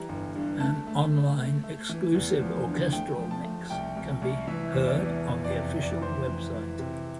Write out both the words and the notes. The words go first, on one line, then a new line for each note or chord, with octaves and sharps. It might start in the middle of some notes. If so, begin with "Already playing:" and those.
An online exclusive "orchestral" mix can be heard on the Official website.
Already playing: E3 G3 A#5
G1
G2
A3 A5
A3
A3
A3
A3
E3
E2
F3
D3
A3 G5
F3
A5
A3
C2 G5
C2
C2
E3 E5
E2
D5
E3
F1
D5
C3
F1
D5
E3 C5
E3
E3
C3